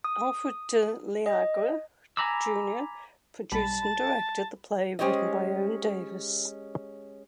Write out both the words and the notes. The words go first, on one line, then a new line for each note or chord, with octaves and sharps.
Alfred De Liagre, Junior produced and directed the play written by Owen Davis.
D#6
D#5
G#5 A#5 B5 D6 E6
B1 G3 A5 B5
G#3 C#4 G4 C5 C#5 D#5